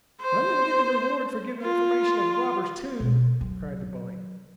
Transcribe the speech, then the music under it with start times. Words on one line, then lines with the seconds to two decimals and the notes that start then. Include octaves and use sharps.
"And I'm going to get the reward for giving information of the robbers, too!" cried the bully.
0.21 C5
1.62 F4
3.00 B2
3.41 F#3